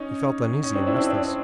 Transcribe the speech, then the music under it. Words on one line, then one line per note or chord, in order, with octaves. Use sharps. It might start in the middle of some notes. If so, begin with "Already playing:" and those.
He felt uneasy and restless.
Already playing: C#4 D#4
C#4 D#4
C4 D4
D4 E4
C4 D4
C4 D4